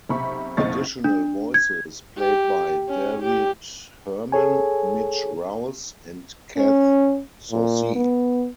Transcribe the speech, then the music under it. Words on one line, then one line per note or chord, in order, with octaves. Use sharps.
Additional voices played by David Herman, Mitch Rouse and Kath Soucie.
B1 C3 B5 C#6
F#1 B1 C4 D#5 C#6 A6
D4
G#6
G4
C#4
G4
G#4 A4 C#5 G#5
C#4
A#2
B3